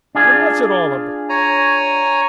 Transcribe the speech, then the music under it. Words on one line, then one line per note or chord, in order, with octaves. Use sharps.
"And what's it all about?"
D4 F4 G#4
C#5 G#5 A#5